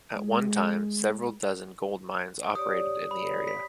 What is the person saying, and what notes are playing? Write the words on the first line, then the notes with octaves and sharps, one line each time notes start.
At one time, several dozen gold mines operated in the area.
G#3
G4 C#5 D5 D#6
B5
B6